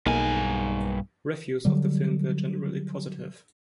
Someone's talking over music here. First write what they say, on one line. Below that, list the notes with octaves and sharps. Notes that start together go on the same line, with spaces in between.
Reviews of the film were generally positive.
B1 G2 A#3 D#4 G#4 G#5
D3 F#3 G3